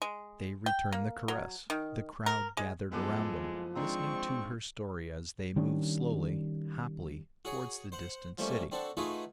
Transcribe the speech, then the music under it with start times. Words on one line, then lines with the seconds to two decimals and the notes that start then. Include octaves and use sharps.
They returned the caress, the crowd gathered around them, listening to her story as they moved slowly, happily, towards the distant city.
0.02 G#3
0.66 G5
0.92 A#3
1.28 F#3
1.70 D#3
2.26 A#4
2.57 G#3
2.92 F#1 F3 G#3 B3 A4 D6
3.75 G#1 G#3 C4 D4 A#5 C#6
5.56 D#3 G3 C#4 D4
7.45 F#4 G#4 C#5
7.92 C5 F#5
8.38 F3 G3 A3 A#3 C#4
8.71 C4 D4 F#4 A4
8.97 A3 D#4 F4 F#4 G#4 B4